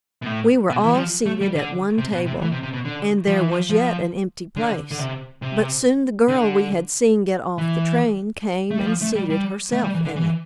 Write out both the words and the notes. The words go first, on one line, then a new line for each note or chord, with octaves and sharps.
We were all seated at one table, and there was yet an empty place; but soon the girl we had seen get off the train came and seated herself in it.
B2
A2
B2
E3
G3
F3
A3
G3
D3
C3
B2
C3
E3
C3
C3
B2
D3
F3
E3
F3
F3
D3
D3
C3
C3
D3
E3
A3
G3
F3
A3
G3
G3
A3
G3
E3
D3
E3